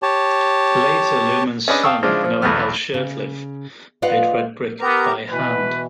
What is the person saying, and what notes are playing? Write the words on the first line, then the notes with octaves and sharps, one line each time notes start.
Later Luman's son, Noah L. Shurtliff, made red brick by hand.
G4 C#5 A5
C#4 D4 G#4 B4 D#5
F5 G5 A5 C#6 D#6 E6
C#3 F3 G#3 D4 E4 F4
F3
B1 E2 E3 A3 B3 F6
C#3
F4 B4 D5 D#5 F5 F#5
B3 G4 A#4 A#5
B2 E3 B4